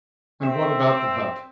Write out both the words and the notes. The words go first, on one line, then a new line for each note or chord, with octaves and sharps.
"And what about the hut?"
C4 E5